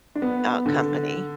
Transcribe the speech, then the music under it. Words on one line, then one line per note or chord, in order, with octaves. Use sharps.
uh, company,
D4
B3
D3